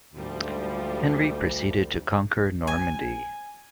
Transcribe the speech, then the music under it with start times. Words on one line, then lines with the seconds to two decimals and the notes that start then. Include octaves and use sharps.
Henry proceeded to conquer Normandy.
0.14 D2 G#2 F3 G3
2.67 G#5